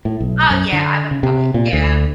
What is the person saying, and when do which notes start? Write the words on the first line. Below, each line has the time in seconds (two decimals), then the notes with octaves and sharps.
Oh yeah, I would probably yeah,
0.05 A2
0.20 B1
0.50 F#2
0.72 D3
1.11 C#3
1.23 C3
1.54 A#2
1.73 D2